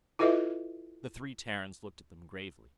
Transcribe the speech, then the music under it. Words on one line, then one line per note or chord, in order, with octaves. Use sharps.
The three Terrans looked at them gravely.
E4 F4 A4 B4 D#5 E5